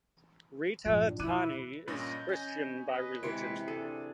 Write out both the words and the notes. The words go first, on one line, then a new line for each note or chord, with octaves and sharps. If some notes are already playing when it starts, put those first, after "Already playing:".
Rita Tani is Christian by religion.
A#1 G2
F3 D4
B2 E4 D6 F#6 D#7
G2 A#2 C#4 B4 D#5 G6
C#4 G#5
B4 D#5
C3 E3 G#3 E4 C6 C#7 D7
D4 G#4 A4